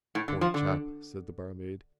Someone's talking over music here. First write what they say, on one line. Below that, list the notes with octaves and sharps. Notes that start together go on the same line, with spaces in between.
"Poor chap!" said the barmaid.
A2
D3
F3
D3